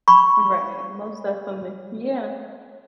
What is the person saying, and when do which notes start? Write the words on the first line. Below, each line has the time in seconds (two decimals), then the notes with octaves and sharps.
Right, most definitely. Yeah.
0.08 B5 C#6